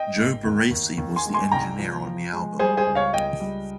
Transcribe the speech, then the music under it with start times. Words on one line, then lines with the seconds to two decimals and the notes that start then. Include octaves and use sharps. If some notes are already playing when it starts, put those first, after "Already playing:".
Joe Barresi was the engineer on the album.
Already playing: D#5 G5
0.16 G#1
0.44 D#2
0.71 D#2
0.97 D#2
1.16 G#5 C6
1.26 G#3
1.34 G#5 C6
1.51 C2 G5 A#5
1.79 F3
2.06 F3
2.33 G#3
2.59 G3 G#4 C5
2.77 G#4 C5
2.86 C#2
2.95 C#5 F5
3.13 C#2 D#5 G5
3.40 G3